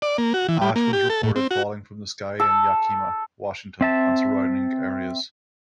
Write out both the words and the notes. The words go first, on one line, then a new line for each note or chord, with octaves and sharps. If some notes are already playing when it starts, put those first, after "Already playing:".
Ash was reported falling from the sky in Yakima, Washington, and surrounding areas.
D5
A#3
F#4
E3
G3
A#3
G4
A4
A2
C4
F#4
A4
C4 E5 A5